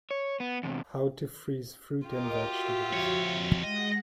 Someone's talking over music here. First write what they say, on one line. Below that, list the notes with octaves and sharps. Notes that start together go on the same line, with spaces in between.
How to freeze fruit and vegetables.
C#5
B3
E2 C3
F4 G4 A#4 D#5 D6
F#4 E5
F2 C#5
G#3 D#5 F#5